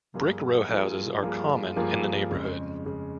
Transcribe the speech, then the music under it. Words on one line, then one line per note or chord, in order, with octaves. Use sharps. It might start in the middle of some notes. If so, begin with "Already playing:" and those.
Brick rowhouses are common in the neighborhood.
G2 F3 A#3 F4 G#4
G2 F3 A#3 F4 G#4
G2 F3 A#3 F4 G#4
G2 F3 A#3 F4 G#4
F2 C#3 G#3
F2 C#3 G#3